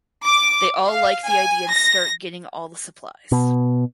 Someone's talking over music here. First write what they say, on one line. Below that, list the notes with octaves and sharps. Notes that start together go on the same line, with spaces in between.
They all like the idea and start getting all the supplies.
D6
F5
G#5
A#6
B2